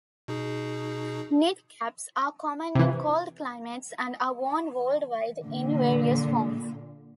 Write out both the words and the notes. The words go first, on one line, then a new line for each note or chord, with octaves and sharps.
Knit caps are common in cold climates, and are worn worldwide in various forms.
B2 D#4 G#4
C3 E3
A#2 D3